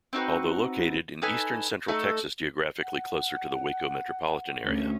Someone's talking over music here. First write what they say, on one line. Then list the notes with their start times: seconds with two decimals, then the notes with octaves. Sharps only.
Although located in eastern Central Texas geographically closer to the Waco metropolitan area.
0.13 C4 D#4 F#4 B4
1.22 D#4 A4 B4 G#5
1.88 A3 D#4 A4
2.82 F#5
4.63 D2 C#4